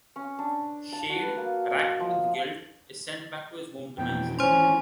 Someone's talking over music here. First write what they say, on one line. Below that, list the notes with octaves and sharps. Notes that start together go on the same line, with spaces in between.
Shade, wracked with guilt, is sent back to his home dimension.
C#4
D4
A5
F#4
B4
A#3
D#5
F3
F2 B2 E3 G5
G#1 E3 C#4 C5 C6